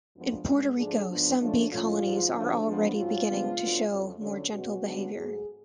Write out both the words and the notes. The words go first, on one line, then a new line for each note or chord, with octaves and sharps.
In Puerto Rico, some bee colonies are already beginning to show more gentle behavior.
F#2 F3 G#3 B3 D4
G#2 G#3 D4
G#2 F3 A3 D4 G#4
G#2 F3 B3 D4
F2 D3 F3 A3 C#4 D4
A2 F3 A3 C#4 F4
G#2 F3 G#3
D2 C#3 F3 D4
F2 F3 G#3 B3
G#2 F#3 C#4 F4
C#3 F3 G#3 B3 D4
D2 D3 F#3 B3
F2 C#3 F#3
D2 D3 F#3 C#4
B2 G#3 C#4 F#4
C#3 G#3 B3 D4
G#2 F#3 A3 G#4